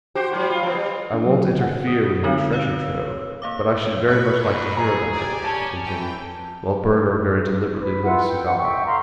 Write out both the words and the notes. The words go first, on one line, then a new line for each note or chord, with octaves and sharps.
"I won't interfere with your treasure-trove, but I should very much like to hear about it," he continued, while Burger very deliberately lit a cigar.
F#4 G4 C5
G#2 F#3
F4
F3 B3
G3
D4
F#3
D3
F#5
D#6
D3 G#3 C4 D#4 F#7
C#5 F5 E6
A#3 F5 D6
B5 C#6 F#6
F#2
G#4 A#5
G4 D5 G#5
C#4 A5
E3 G5
B4
E4 F4 B4 F#5
G5
D4 F#5
A4 E5 G5 C#6
F5 A#5 C6